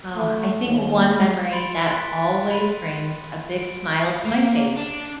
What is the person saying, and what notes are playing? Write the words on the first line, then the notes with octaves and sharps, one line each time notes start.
Oh, I think one memory that always brings a big smile to my face
A3
D#2
B5 C6 A6 C#7 D7
C6 F#6 G#6 A6 B6
B5 D#7
D7
A#3
D4